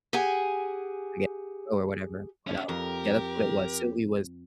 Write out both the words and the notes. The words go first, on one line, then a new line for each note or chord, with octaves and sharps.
again, grow or whatever, but, um, yeah, that's what it was, Sylvie was
G4 G#4 F#5 G#5
C#4 D4
F2 G4 A#4